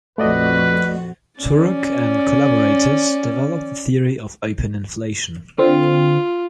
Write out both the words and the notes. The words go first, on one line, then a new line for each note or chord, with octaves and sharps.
Turok and collaborators developed the theory of open inflation.
A#1 F2 A3 F#4 B4 D5 D#5
C#4 D5
D3 C4 F4